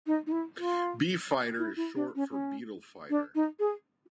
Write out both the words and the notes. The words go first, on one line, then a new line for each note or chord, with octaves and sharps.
B-Fighter is short for "Beetle Fighter".
D#4
D#4
E4
F4
E4
E4
D4
C#4
C#4
D4
D#4
G#4